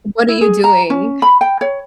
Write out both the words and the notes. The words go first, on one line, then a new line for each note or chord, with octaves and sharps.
What are you doing
E4
G#4
A#5
C#4
B5
G5
C#5